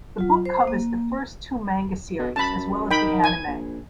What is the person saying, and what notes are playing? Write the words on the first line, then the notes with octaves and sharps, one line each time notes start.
The book covers the first two manga series as well as the anime.
F#3 F4
C5
A#3
B2
F#2 A5 B5
D#3 G5 B5
G#5
A#1